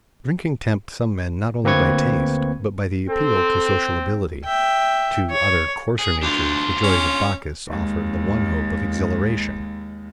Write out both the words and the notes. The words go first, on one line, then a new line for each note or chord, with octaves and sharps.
Drinking tempts some men not only by taste, but by the appeal to sociability; to other coarser natures the joys of Bacchus offer the one hope of exhilaration.
D2 A#3 C4 B4 C#6 G#6
C4 A4
E5 G5
C#5
G#4
D2 D4 F4
C#4
D#2 G#3